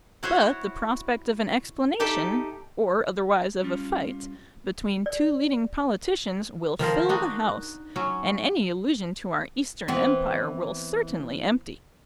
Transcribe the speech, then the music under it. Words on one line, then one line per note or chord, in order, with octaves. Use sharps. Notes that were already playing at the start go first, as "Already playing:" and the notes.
But the prospect of an explanation,--or otherwise of a fight,--between two leading politicians will fill the House; and any allusion to our Eastern Empire will certainly empty it.
E4 F#4 C5 C#5
D#4 G4 A4 E5
G3 C#4 F4
D5
D#3 F3 A#4 C5
D4 D#4 F#4
F#3 C#4
E3 B3 C4